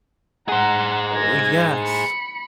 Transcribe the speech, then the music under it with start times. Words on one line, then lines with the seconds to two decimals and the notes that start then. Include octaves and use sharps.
Oh, yes,
0.49 G#4 C5 F#5 A#5
1.15 G#6 A#6
1.82 B5 C#7